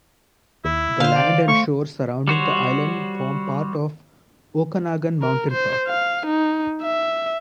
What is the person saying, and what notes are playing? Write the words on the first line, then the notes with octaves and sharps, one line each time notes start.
The land and shore surrounding the island form part of Okanagan Mountain Park.
D#2 E4
D3 C5 F5
D5
A3 C#6
G3 F#4 C5 C#5
A#4
C5
F5
D#4
E5